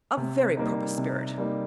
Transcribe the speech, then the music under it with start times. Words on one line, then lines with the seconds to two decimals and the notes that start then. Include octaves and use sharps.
A very proper spirit!'
0.17 C3
0.57 G3 A#3 D#4
0.98 C3
1.38 G3 A#3 D#4